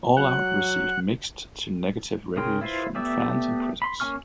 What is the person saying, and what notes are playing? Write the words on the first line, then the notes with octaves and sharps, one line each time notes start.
All Out received mixed to negative reviews from fans and critics.
F#3 F#5
C#3 G#4 A#4 G5 C6
E4 F4 B4 C5
A3 B3 G4 D5 E5
B5 C6
A#3 C#4 G#5 C#6 F6